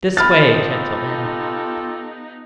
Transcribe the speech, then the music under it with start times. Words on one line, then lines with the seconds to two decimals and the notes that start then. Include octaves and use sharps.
'This way, gentlemen!
0.17 B3 D#4 F4 G4 A4 B5 F6 A6